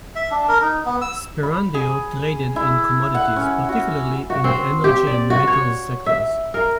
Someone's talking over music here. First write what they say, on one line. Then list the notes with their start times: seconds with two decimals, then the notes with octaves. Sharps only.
Sperandeo traded in commodities, particularly in the energy and metals sectors.
0.15 E5
0.31 D4
0.48 A#4
0.62 D#4
0.86 B3
1.02 E6
1.43 B5
1.74 G#4
2.56 E4
3.15 F#5
3.36 C#4
3.69 F#4
4.30 F#4
4.44 C4
4.84 G4
5.07 D5
5.30 F#4
5.47 C#5
6.06 E5
6.54 A#4